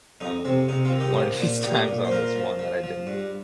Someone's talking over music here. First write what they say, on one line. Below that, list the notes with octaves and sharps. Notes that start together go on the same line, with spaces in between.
Um, one of these times on this one that I didn't
F2 D#4
C3 C4
C3 D#4
C4 F4
D#3
D#4 G4
F3
A#2
A#2 D#4 G4
A#2
C5
F3 F4 A#4
F3
F3
F3
G2